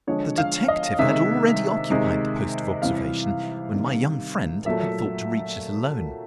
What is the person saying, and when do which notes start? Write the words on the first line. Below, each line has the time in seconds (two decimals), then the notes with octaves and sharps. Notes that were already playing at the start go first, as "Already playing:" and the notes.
The detective had already occupied the post of observation when my young friend had thought to reach it alone.
0.07 D3 F3 G#3 C#5
0.38 F5
0.68 D#5
0.99 C3 D#3 G#3 E5
1.90 C3 D#3 G#3
2.82 C3 E3 G3 F5
3.74 C3 D#3 G3
4.65 A#2 F#3 A3 E5